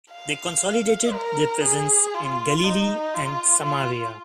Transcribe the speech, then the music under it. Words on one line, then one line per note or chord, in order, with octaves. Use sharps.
They consolidated their presence in Galilee and Samaria.
F5
A#4
G#4
F4
D#4
F4
F4